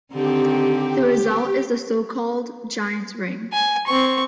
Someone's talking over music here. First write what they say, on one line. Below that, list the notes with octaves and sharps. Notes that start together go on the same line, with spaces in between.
The result is the so-called Giants' Ring.
D3 D#3 C4 G4
G#5
C4 C#6